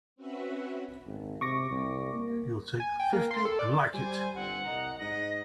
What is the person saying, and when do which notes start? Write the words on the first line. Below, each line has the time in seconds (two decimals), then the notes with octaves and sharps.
You'll take fifty and like it!
0.16 C4 C#4 F#4 B4 E5 F#5
1.06 G#1
1.41 C3 C#6 D6 A#6
1.71 C2
2.13 A#3
2.80 G#5
3.00 G5
3.13 A#3
3.31 C6
3.45 A4
3.59 D5
3.93 G3 C5 G#5
4.35 G1 C4 F#5
4.65 C2 D#5 A#5
4.99 G#2 D#4 D#5 A#6